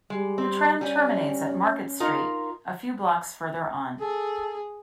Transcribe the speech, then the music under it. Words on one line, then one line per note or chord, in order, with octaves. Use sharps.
The tram terminates at Market Street, a few blocks further on.
G3 G#3
C4
G3 C#4 G#5
D#4 F4 A#4
G#4 A4